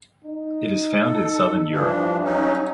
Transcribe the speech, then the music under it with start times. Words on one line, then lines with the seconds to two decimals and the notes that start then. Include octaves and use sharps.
It is found in southern Europe.
0.24 D#4
1.04 A4
1.72 G2 E3 F3 D4
2.24 F#3 C#4 D#4